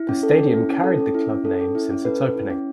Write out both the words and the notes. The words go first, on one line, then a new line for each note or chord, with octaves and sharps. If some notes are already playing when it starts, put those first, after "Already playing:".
The stadium carried the club name since its opening.
Already playing: E4
C#4
A4
C#4
E4
C#4
A4
C#4
E4
C#4
A4
C#4
E4
C#4
A4 B4
C#4
E4
C#4